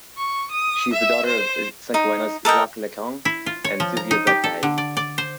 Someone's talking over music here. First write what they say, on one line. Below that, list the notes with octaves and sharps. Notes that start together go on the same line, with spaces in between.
She is the daughter of the psychoanalyst Jacques Lacan and Sylvia Bataille.
C#6
D#6
E5
C5
D#4
A4 A#4 D#5 G5
E4
F4
C#5
F3
A#5
D#4
G4
A4
D3
D5
D5
C5